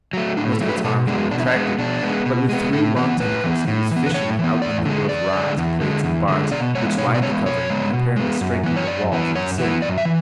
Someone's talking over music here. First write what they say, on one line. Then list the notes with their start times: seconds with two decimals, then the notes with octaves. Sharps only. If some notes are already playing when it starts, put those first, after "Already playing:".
Most of its arms were retracted, but with three long tentacles it was fishing out a number of rods, plates, and bars which lined the covering and apparently strengthened the walls of the cylinder.
0.13 F#3 A3
0.37 A2 D4
0.53 A4
0.61 F#3 A3
0.69 B4
0.84 B2 A4
1.07 G#3 B3 D4
1.31 B2 D4
1.40 E4
1.47 D4
1.55 G#3 B3
1.79 B2 D4
2.03 G#3 B3
2.26 B2
2.49 G#3 B3
2.73 A2 A4
2.96 E3 B3 B4
3.20 A2 B4
3.44 E3 B3
3.68 A2
3.91 E3 B3
4.06 B4
4.14 A2 C#5
4.39 E3 B3
4.62 E2 D5
4.85 D3 G#3
5.09 E2 D5
5.33 D3 G#3
5.57 E2
5.81 D3 G#3
6.04 E2
6.28 D3 G#3
6.51 B2 D5
6.75 G#3 B3 C#5
6.98 B2 C#5
7.14 D5
7.22 G#3 B3 C#5
7.46 B2 C#5
7.70 G#3 B3
7.93 B2
8.16 G#3 B3
8.41 F#2
8.64 E3 B3
8.76 C#5
8.87 F#2 D5
9.12 E3 B3
9.35 F#2 C#5
9.58 E3 B3
9.82 F#2 D5
9.98 E5
10.05 E3